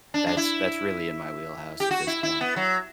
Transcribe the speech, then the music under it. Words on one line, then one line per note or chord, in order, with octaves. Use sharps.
That's that's really in my wheelhouse at this point.
D4
D4
E4
G4
F#4
E4
E4
B3
F#3